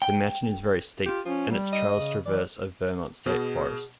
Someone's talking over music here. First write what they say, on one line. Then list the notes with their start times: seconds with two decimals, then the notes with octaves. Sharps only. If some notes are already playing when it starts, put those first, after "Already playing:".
The mountain is very steep, and its trails traverse a Vermont state forest.
0.02 G5
1.06 F4 G4
1.26 F3 C#4
1.51 G3
1.73 D#5
1.93 C#3
2.26 E3 D5
3.26 B2 G#4